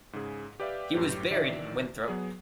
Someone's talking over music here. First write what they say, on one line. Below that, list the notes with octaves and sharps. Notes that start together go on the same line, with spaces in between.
He was buried in Winthrop.
G#2 C#3 G#4
G4 B4 D5 E5 F5
G1 F#2 A2 G4 B4
A#1 D#3 E3 D5 E5
F#3 B3 G#4